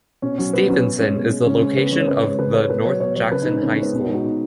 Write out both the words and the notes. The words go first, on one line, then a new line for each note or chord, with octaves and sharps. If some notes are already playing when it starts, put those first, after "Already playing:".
Stevenson is the location of the North Jackson High School.
B2 C#4
F#3 C#4
B2 B3
F#3 C#4
B2
G#3 C#4
B2
G#3
C#3 C#4
G#3 C#4
C#3 B3
G#3 C#4
C#5
C#3 B4
G#3 C#5
C#3 B4
G#3 C#5
B2 B4
F#3 C#5
B2 C#5
F#3 C#5
C#3 B4
D#4
G#3
C#4
C#3 B3
C#4
G#3 B3
B2 C#4
D#4
G#3
F#4
B2 D#4